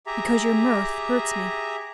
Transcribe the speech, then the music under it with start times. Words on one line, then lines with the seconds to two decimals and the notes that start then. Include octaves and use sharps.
"Because your mirth hurts me."
0.07 G4 G#4 E5 A#5